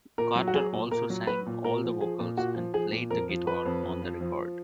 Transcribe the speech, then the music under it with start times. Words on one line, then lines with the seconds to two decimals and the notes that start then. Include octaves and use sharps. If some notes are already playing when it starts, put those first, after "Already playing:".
Carter also sang all the vocals and played the guitar on the record.
0.18 A#2 A#4
0.36 F#3
0.48 F#4
0.54 F#3 G#4
0.72 A#2
0.91 A#2 A#4
1.10 F#3
1.27 F#3 B4
1.46 A#2
1.64 A#2 A#4
1.83 F3
2.00 F3 G#4
2.20 A#2
2.37 A#2 F#4
2.56 F3
2.73 F3 G#4
2.92 A#2
3.10 F2 A#4
3.29 F3
3.47 F3 B4
3.65 F2
3.84 F2
4.02 F3
4.21 F3